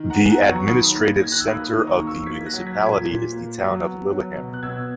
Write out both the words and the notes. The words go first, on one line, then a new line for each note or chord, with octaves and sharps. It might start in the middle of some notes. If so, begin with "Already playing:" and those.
The administrative centre of the municipality is the town of Lillehammer.
Already playing: D#3
F#5 A#5
B3
G#5
F#5 A#5
F#3
A#5 C#6
D#3 B5 D#6
A#3
A#6
D#3 G#6
F#6
E6
A#3 B5 D#6
D#3
D#6
A#5 C#6
A#3
C#6 E6
A#3 G#6 B6
F#6 A#6
F#3
G#6 B6
A#2
G#6 B6
A#2
A#3
F#3
B3
F#3
B2
F#6
B2 E6 G#6